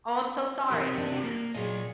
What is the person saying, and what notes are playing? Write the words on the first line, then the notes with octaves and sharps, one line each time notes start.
Oh, I'm so sorry. Yeah.
C4 D#4 G4 A#4 D#5
D#3 D4
A#3 A#4
A#2 F#3 G#4 C#5 D#5